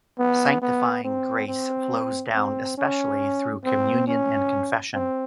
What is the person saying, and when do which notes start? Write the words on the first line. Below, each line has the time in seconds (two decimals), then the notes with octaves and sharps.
Sanctifying grace flows down especially through communion and confession.
0.19 B3
0.62 B3
1.04 C4
1.48 C4
2.35 C4
2.78 C#4
3.65 C4
4.08 C#4
4.94 C4